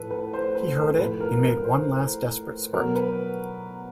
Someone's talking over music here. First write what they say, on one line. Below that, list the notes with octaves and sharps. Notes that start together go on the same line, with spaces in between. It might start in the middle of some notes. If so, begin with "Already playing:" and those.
He heard it and made one last desperate spurt.
Already playing: A2 F3 A4 B4
B4
C5
B4
A4
A2 F3 B4
A#4
B4
C5
B2 F#3 A#4
B4